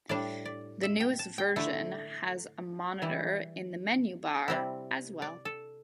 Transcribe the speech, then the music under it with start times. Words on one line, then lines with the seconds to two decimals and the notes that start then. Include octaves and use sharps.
The newest version has a monitor in the menu bar as well.
0.09 A2 G3 D4 D5
0.45 D5
0.83 E5
1.00 G5
1.19 A5
1.38 G5
1.56 D3 A3 E4
3.02 E3 G3 E4
4.48 C3 G3 C4 E4
5.22 D5
5.45 A4